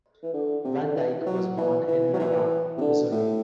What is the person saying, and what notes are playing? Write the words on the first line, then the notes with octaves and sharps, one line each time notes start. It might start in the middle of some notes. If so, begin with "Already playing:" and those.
Van Dyke was born in Mora, Missouri.
E3
D3
C3
D3
D3
E3
E3
F#3
E3
E3
F#3
E3
C3
D3
A2